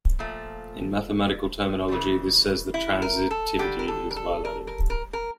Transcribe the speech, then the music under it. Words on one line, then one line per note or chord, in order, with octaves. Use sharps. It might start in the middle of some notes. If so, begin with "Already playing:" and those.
In mathematical terminology, this says that transitivity is violated.
A#2 F3 A3
C#3 E3 G3
E4
A#4
A4
D3 G3 G4
A#4
A4
A#4
A4
A#4
A#4
A#4
A#4